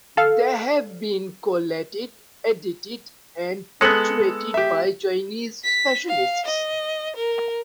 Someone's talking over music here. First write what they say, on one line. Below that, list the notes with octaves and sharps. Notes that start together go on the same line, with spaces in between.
They have been collated, edited, and punctuated by Chinese specialists.
A4 F5
G#3 B3 A4 C#7 F#7
G4 E5
B6
F5
D#5
A#4